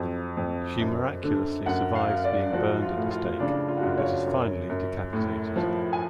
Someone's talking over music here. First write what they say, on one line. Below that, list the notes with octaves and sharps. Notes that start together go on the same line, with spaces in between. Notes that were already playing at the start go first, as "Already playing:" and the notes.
She miraculously survives being burned at the stake, but is finally decapitated.
Already playing: F2 F#3
F2
F#2
D3
F#2 F#5
F5
F#2
D5
F3 F#4
F4
A2
F4
C#3 D4
F4
F#4
F#2 F4
C#5
F#2
F#2
A2
F3
G#5